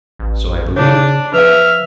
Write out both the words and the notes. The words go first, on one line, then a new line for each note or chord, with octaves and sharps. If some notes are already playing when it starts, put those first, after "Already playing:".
So I believe.
A1
C#3 D4 C#5
F3 B4 E5 F5 F6